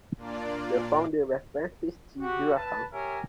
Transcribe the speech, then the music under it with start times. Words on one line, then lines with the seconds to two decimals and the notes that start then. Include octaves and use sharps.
The founder was Francis G. Graham.
0.16 A#2 A#3 D4 F4 D5
2.21 F#4 G4
2.54 B4 A5
2.92 G4 A#4 C#5 E5 G#5